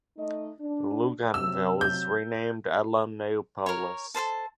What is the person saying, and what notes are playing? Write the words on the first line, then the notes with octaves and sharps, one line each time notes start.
Luganville is renamed Allonneaupolis.
A3 D#4 D#5
D4
C3 F#3 E6
G6
A#4 C#5
A4 A#4 C5 A5